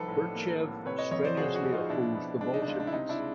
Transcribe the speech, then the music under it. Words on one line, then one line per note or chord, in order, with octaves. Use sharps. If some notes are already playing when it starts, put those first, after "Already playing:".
Burtsev strenuously opposed the Bolsheviks.
Already playing: C2 D#3 F3 A4 B4
A2
A#3
A2
C3 B4 C#5
C#5 D#5
F2 C#5 D#5
C5 D5
F3 F#4 G#4
F#4 G#4
F2
D#4 F4
B2 D4 E4
B3
G#3 D4
D#4
D4
C#2 D#4
D4
E4
C3 D#4
D4 E4
G#3